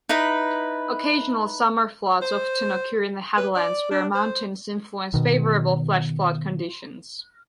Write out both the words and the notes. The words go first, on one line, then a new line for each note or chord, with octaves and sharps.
Occasional summer floods often occur in the headlands, where mountains influence favorable flash-flood conditions.
D#4 E4 B4
C5
B4
D5
D4
C5
B2 D#3